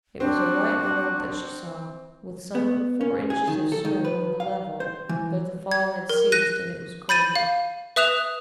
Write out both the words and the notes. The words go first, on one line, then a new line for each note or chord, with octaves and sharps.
It was a white world that she saw, with some four inches of snow on the level, though the fall had ceased and it was colder.
C4 D4 F#4
B3
C#4
G#4
D#3
A4
D#3
B4
F5
C5
E3
G#6
A#4
F#6 A#6 D#7
B5 G6 A6 D#7
F5
B4 E5 D#6 F#6 E7 F7